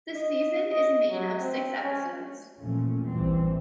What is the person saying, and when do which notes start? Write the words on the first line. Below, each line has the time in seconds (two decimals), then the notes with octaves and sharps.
The season is made of six episodes.
0.15 D#5
0.69 D#5
1.10 F#3
1.40 C4
1.82 C#4
2.59 E2 A#2 F3 A3 C#4
3.05 A1 D2 A#2 E3 G3 C4